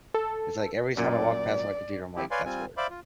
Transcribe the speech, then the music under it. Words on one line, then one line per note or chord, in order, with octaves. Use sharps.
it's, like, every time I walk past my computer, I'm like, "That's work."
A4
F#2 A#2 D5
F3 C4 E4 G4
B4 C#5 D5 F5 G#5 C6
G3 C4 F4 G#5
C5 D5 E5 F5 B5 D6
F4